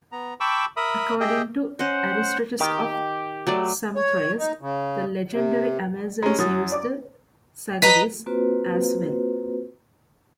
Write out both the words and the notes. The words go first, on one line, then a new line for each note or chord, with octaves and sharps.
According to Aristarchus of Samothrace, the legendary Amazons used the "sagaris", as well.
B3 A#5
G5 A5 B5 C#6 D6 E6
A#4 E5 B5 D#6
G4 G#4 D#5 E5 G5
C#4 C5 D#5 F#5
D#3 G4
F#3 A3 D5
C#5
D#4
C#3
C3
G#3 C#4 G4 A#5
F#2 F#3 E4 D#6 A6
D5 D6
B4 D#5 A#5 B6
A#3 C4 F4 F#4 B4 C5